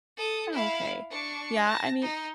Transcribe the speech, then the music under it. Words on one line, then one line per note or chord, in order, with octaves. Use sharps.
Oh, okay, yeah, I mean
A4 D#6
E4 F5
D4 C#6
A5 A#6
D#4